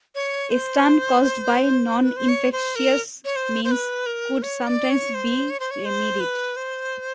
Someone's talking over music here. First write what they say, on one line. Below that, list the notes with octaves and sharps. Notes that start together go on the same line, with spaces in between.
A stunt caused by noninfectious means could sometimes be remedied.
C#5
C5
B4
C5
C#5
C5
A#4
C#5
C5
C5
B4
A#4
C#5
D5
C#5
C5
C#5
C5
C#5
C5
B4
C5